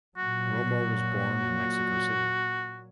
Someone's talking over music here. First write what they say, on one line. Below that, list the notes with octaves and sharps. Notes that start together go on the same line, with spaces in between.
Romo was born in Mexico City.
A#2 F#3 F#4